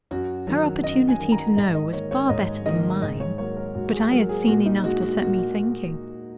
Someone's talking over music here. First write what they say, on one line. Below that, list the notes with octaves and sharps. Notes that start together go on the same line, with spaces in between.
Her opportunity to know was far better than mine, but I had seen enough to set me thinking.
F#2 F#4
D#3 F#3
F#2 D#5
G#5
D#3 F#3
A#5
G#2 D#5
D#5
D#3 A#3 C#5
C#5
G#2 D#5
D#3 A#3 D#5
G#2 D#5
C#5
F#3 A#3 C#5
A#4
G#2 F#4
G#4
F#3 A#3 A#4
G#4
A#2 F#4
D#4
G#3 F#4
F#4
A#2 F#4
F#4